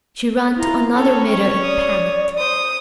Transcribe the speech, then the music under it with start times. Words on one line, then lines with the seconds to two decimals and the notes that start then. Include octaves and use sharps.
She ran to another mirror in panic.
0.56 E4 F4 A#5
0.94 C4 C#4 A4 C#5
1.32 C#6
1.64 D5 D#6
2.38 C5 D#6